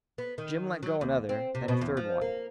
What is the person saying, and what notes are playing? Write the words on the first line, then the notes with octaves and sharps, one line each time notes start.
Jim let go another, then a third one.
B3
D#3
F#3
D#2
C4
C3
B2
E2
F3
A#3